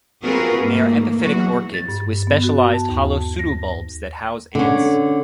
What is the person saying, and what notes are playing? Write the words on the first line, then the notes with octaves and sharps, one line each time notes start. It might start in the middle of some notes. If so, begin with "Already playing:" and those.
They are epiphytic orchids with specialized hollow pseudobulbs that house ants.
C4 F4 F#4 G#4 A#4 B4
G#2 A3 A#3
E2 F#3 F#4
A6
G2
B3
F#4
A5
D#2
A#6
D3 C#4